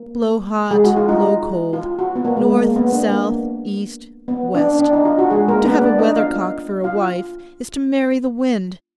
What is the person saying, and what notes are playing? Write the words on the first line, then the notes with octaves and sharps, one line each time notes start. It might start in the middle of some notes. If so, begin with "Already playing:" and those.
Blow hot, blow cold. North, south, east, west--to have a weathercock for a wife is to marry the wind.
Already playing: A#3
G#3 G#4
F#4
F4
D#4
F4
F#4
B3
A#3
G#3
A#3
A#3
B3
D4
A#3
B3
D4
D4
D#4
F4
F#4
G#3 G#4
A#3 A#4
B3 B4
D4 D5
D#4 D#5
F4 F5
F4 F5